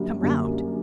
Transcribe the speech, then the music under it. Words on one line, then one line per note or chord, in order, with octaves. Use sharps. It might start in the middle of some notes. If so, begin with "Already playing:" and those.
"Come round?"
Already playing: F#2 D3 G3 A#3
F#2 D3 G3 A#3